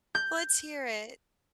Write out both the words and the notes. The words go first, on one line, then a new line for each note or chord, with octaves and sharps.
Let's hear it.
G6